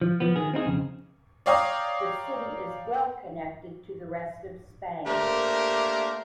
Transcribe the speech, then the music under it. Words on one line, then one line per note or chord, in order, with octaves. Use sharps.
The city is well connected to the rest of Spain.
F3
F3 B3
D#3 G#4
C4 D#4 E4 G#4
F2 C#3
C#5 D5 F5 G5 A#5 D#6
A3 A#3 D4 G4 A#4 C5